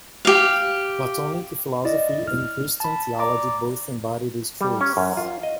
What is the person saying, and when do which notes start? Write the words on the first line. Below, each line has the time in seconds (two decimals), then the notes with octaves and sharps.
Platonic Philosophy and Christian theology both embody this truth.
0.25 G4 F5
1.85 E4 D5 D#5
2.28 F6
2.80 A5 B5
3.19 D5 A#5 D6
4.61 G3
4.81 C#4
4.97 F#2
5.17 F4
5.43 D#5